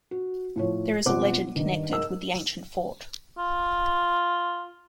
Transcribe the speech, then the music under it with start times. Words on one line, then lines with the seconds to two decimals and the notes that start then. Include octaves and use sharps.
There is a legend connected with the ancient fort.
0.11 F#4
0.56 A2 F3 C#5
1.05 E1 F2 C5 F#5 D6
1.55 G2 D#3
1.89 G#2 A#4 E6
3.38 F4